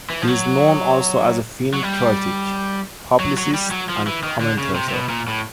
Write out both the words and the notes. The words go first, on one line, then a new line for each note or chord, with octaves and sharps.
He is known also as a film critic, publicist and commentator.
E3
F3
F#3
F#3
G3
F#3
F#3
G3
F#3
F3
E3
D#3
D3
C#3
C3
C3
B2
A#2
A2